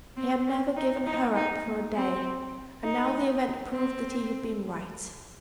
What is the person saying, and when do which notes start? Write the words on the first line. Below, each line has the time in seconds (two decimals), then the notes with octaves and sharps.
He had never given her up for a day, and now the event proved that he had been right.
0.17 C4
0.46 C#4
0.76 D#4
1.06 D#4
1.35 D#4
1.64 A#3
1.94 C4
2.84 D#4
3.72 C4